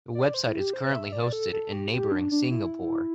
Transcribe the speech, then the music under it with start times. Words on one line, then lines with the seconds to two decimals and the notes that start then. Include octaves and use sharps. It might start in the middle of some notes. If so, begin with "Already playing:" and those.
The website is currently hosted in neighbouring Singapore.
0.15 D5
0.34 C5
0.47 E4
0.60 G4
0.73 C5
0.93 E5
1.12 D5
1.33 A4
1.53 A4
1.73 G4
1.92 G4
2.12 D4
2.32 D4
2.51 E4